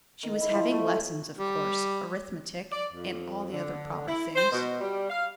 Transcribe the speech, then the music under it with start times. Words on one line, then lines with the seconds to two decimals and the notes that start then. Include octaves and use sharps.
She was having lessons, of course; arithmetic, and all the other proper things.
0.23 D#3
0.41 E4
0.54 F3
0.72 A3
0.87 C#5
1.38 G3
2.71 D5
2.92 F2
3.51 D3
4.08 E4
4.36 C5
4.51 B2
4.80 G3
5.10 F5